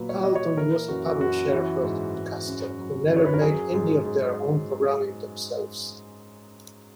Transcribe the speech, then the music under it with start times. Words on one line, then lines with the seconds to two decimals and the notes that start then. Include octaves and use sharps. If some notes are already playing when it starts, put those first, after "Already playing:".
Carlton was a publisher broadcaster who never made any of their own programming themselves.
Already playing: A#2 F#3 B4
0.09 C#5
0.23 A#2 D#5
0.35 C#5
0.57 E3 A#4
0.88 F#2 F#4
1.06 F#4
1.20 F#2 F#4
1.52 E3
1.83 G#2
2.15 G#2
2.47 F#2
2.78 F#3
3.10 F#2
3.16 C#5
3.25 B4
3.34 A#4
3.41 F#3 G#4
3.74 G#2
4.05 G#2